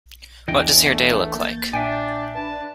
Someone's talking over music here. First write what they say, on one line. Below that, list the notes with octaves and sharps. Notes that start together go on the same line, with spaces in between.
What does your day look like?
E2 E3 B3 D4 G#4 D#5 G5
A3
A#3 G6 A6
A#2 D4 E5 G5 G#5
D4 B4 A5